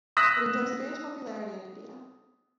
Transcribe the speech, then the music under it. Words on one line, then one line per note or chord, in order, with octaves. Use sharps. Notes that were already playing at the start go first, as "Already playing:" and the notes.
It enjoys the greatest popularity in India.
D#6 E6 F#6 A#6 B6